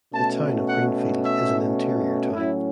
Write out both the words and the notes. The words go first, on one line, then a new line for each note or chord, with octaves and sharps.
The Town of Greenfield is an interior town.
B2 A3 C#4 A5
F#5
E5
A2 F#3 C#4 E4